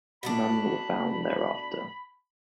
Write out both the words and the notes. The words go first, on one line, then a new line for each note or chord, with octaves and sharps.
None were found thereafter.
B2 A3 D4 B5